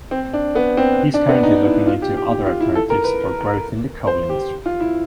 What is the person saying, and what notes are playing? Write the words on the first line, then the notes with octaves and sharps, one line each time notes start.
He is currently looking into other alternatives for growth in the coal industry.
C4
D4
B3
C4
D4
B3
D#4
D#4
E4
F4
G4
G4
G4
F4
E4
A4
A#4
B4
C5
G4
F4
E4